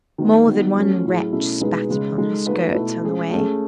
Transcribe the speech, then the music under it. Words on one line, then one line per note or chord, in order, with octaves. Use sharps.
More than one wretch spat upon her skirts on the way.
D#3 G#3 B3
D#3 F#3 B3
F#3 A3 C#4
A2 F#3 C#4 E4 G#4
B2 A3 C#4 E4
B2 G#3 D#4 G#4 B4
C#3 G#3 C#4
G#3 D#4 A4
A3 D#4 F#4 B4
B2 A3 E4
G#3 C#4 G#4
A3 C#4 G#4